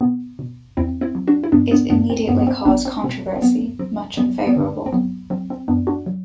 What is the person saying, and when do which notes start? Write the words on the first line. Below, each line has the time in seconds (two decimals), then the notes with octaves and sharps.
It immediately caused controversy, much unfavorable.
0.01 B2 B3
0.39 B2
0.77 E2 C4 E4
1.01 C4 E4
1.15 F#3
1.27 D4 F#4
1.44 E4
1.52 G2 B3 D4
1.71 B3 D4
1.90 G2 B3 D4
2.10 C4
2.28 G2 B3
2.40 B3
2.47 C4
2.65 A1 B3 D4
2.85 C4
3.04 B2 C4
3.36 C4
3.42 F#3 B3
3.79 F#3 C4
4.17 F#3 B3
4.47 B3
4.55 D3 C4
4.86 C4
4.93 F#3 B3
5.30 F#3 C4
5.50 C4
5.68 F#2 B3 D4
5.87 D4 F#4
6.06 F#3